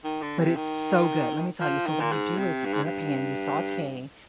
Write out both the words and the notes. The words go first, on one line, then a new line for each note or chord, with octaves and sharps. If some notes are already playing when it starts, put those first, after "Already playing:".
but it's so good. Let me tell you, so, what you do is in a pan, you saute
D#3
D3
C3
D#3
F3
D#3
A#2
G#2
C3
G2
G#2
G2